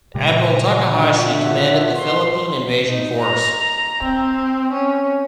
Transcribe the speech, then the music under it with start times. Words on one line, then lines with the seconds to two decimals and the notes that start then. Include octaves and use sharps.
Admiral Takahashi commanded the Philippine Invasion Force.
0.15 A#2 C#3 G#3 G4 A#5
0.70 D3 F3 F#4
1.10 E5
1.95 C6
2.89 D#4
3.21 A#5
4.03 C4
4.73 C#4